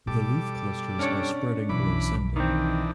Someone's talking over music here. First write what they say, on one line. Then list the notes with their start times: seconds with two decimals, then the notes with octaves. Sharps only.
The leaf clusters are spreading or ascending.
0.07 B2 G3 A4 D6
0.99 C#4 D4 C#5
1.69 B1 E3 B5 D6
2.36 D#3 E3 C4 D4 D#4